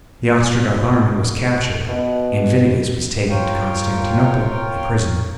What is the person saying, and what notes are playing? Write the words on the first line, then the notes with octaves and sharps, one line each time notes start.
The Ostrogoth army was captured, and Vitiges was taken to Constantinople a prisoner.
B2 F#5
F4 A#4 C#5 F5 G5